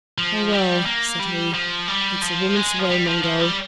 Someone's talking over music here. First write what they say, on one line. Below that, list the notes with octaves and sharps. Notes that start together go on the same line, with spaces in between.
"Oh, well!" said he, "it's a woman's way, Mungo."
F3
G3
A#3
G3
F3
G3
F3
G#3
F3
G3
F3
F3
G3